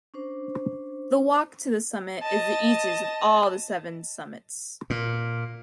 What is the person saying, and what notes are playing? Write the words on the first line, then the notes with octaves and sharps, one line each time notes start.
The walk to the summit is the easiest of all the Seven Summits.
C#4 D4 C5
D#5 A5
A#2